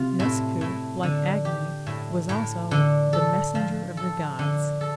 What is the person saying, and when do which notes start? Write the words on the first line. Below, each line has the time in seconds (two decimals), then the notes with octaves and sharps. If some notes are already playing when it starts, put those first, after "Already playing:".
Nusku, like Agni, was also the "messenger of the gods".
Already playing: C3 F4
0.20 A2
0.61 A2
1.03 D3
1.45 G4
1.87 A2
2.29 A2
2.71 D3
3.13 A4
3.55 F3
3.97 A4
4.39 D3
4.81 A4